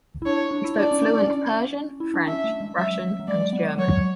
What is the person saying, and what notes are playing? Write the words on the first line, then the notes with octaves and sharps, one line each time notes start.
He spoke fluent Persian, French, Russian, and German.
E4
D4 C#5
D4
E4
D4 D5
C#4
D4
D4
C#4
E4
D4
C#4 E5
A3
G#3
F#3 E5
F#3
G#3 D5
B3
F#3 C#5